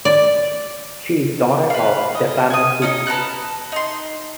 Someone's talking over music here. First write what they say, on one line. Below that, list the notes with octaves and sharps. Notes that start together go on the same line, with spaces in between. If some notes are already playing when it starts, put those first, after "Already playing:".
She is daughter of Stefano Pucci.
D5
B4 F5
D#5
G#5 D#6
C#4 D#4 D#5
B4 A5 A#5 F#6
D#4 C6